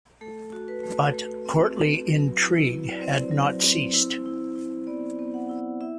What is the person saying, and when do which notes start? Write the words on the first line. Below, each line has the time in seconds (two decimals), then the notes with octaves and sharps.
But courtly intrigue had not ceased.
0.21 A3 A4
0.53 F#4
0.68 B4
0.83 A3
1.14 A3
1.46 C4
1.76 F#4
2.08 F#3
2.39 E4
2.70 E4
2.91 D5
3.01 C4 C5
3.31 F#3
3.63 C4
3.94 E4
4.26 E4
4.56 E4
4.87 B3 D5
5.19 B3
5.34 F#5
5.49 E4
5.81 E4 E5